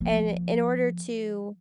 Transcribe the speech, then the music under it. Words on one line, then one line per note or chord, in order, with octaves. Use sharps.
And i in order to
F3 A#3